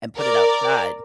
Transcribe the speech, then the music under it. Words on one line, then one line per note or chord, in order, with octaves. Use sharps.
and put it outside,
A#4 D5